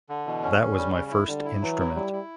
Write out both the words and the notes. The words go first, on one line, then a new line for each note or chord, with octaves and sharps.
That was my first instrument.
D3
B2 E3
C#4
D3 C#4
G3
C#3 C#4
E4
D3 G3
E4
E3 F#3
E4
G3 E4
E4